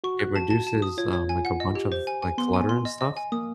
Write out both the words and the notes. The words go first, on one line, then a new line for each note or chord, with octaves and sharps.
it reduces, um, like, a bunch of like, clutter and stuff,
F#4 C#6
F#6
A5
A5
A5
D#6
F4 C#5
C#5
G#5
F#5
D#5
G4
C5
G#5
G#5
B3 C6
G#5
C6
D#5
D#5
G#5
A#3 D#6